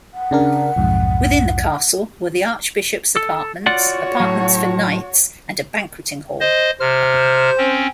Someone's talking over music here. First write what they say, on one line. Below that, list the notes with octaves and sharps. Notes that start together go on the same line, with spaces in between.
Within the castle were the Archbishop's apartments, apartments for knights and a banqueting hall.
F#5
C#3 D4 A#4
B1 F2 G#2
A4
F4 F#4 C#5 D5 F#5
A2 F#3
C5 D#5
C3 C5 F6
C4 C#4